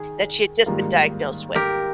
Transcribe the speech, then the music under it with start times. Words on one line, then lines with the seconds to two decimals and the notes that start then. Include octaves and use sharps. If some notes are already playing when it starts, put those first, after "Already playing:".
that she had just been diagnosed with.
Already playing: D#3 G#4
0.66 G#2 D#3 G3 A#3 F4
1.55 G4 A#4